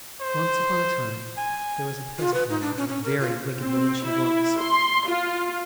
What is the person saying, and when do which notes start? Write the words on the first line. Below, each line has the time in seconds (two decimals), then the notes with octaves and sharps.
Once upon a time there was a peasant woman and a very wicked woman she was.
0.21 C5
1.38 G#5
2.19 F4
2.34 B4
2.49 D#4
2.61 D4
2.77 C#4
2.88 C#4
3.04 A#4
3.20 F4
3.58 C4
4.04 E4
4.60 C6
5.07 F4